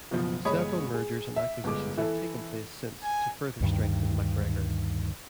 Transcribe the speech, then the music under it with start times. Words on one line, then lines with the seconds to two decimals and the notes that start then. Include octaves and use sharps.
Several mergers and acquisitions have taken place since to further strengthen MacGregor.
0.11 F#1 B2 F3
0.45 G1 G#3 C#5 B5 D#6
0.94 G#4
1.36 E5
1.64 G1 G#3 D6
1.97 E3 E4 A4
3.03 G#5
3.60 D2 G2 D#3